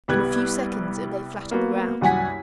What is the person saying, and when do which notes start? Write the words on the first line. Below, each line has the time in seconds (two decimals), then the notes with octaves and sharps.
In a few seconds it lay flat on the ground.
0.08 C2 G3 B3 F#6 G#6
1.51 A#3 B3 F#4
2.01 C2 F#2 F#5 G#5 B6